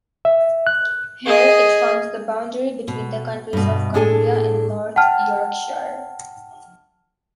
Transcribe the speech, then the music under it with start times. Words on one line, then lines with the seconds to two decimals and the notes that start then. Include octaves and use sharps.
Here it forms the boundary between the counties of Cumbria and North Yorkshire.
0.25 E5
0.67 F#6
1.26 G#4 D#5
2.88 B2
3.53 G2 B2
3.94 A2 D4 G#4 A4 G#5
4.96 F#5 G5 A5 F6